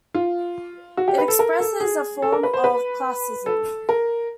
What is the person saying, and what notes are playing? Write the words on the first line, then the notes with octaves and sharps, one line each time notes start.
It expresses a form of classism.
F4
F#4
G4
B4
A4
A#4
A4
G#4
A4
A#4
B4
C5
B4
A4
A#4